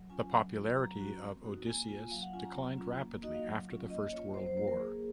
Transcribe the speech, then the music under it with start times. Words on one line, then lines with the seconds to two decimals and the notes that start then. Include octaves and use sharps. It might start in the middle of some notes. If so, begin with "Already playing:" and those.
The popularity of "Odysseus" declined rapidly after the First World War.
Already playing: F#3
0.10 C#4 F4 G#5
0.32 F#3
0.55 C4 F4
0.76 F#3 A#5
0.99 C#4 F#4
1.21 C4
1.44 D#4 F#4
1.67 A#3 G#5
1.88 F4 G#5
2.11 F#3 F5
2.22 F#5
2.33 C#4 F4 G#5
2.44 A#5
2.55 F#3
2.77 C#4 F4
3.01 A#3
3.23 D#4 F#4 D#5
3.34 F5
3.45 F#3
3.68 C#4 F4
3.90 A#3 D#5
4.13 C#4 F4 C#5
4.34 F#3 C5
4.46 C5
4.57 A#3 F4 C5
4.68 A#4
4.79 A#3 G#4